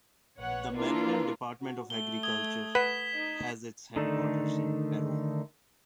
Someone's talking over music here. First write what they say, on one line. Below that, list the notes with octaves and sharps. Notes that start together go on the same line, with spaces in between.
The Maryland Department of Agriculture has its headquarters in Parole.
A#1 B4 C#5 F#5
A#3 D4 E4 F4 A#4 B4
F#4
A3 G7
D#6 G#6 G7
B4 F#5 B6 E7
D#4
D3 D#3 A3 D4 D#4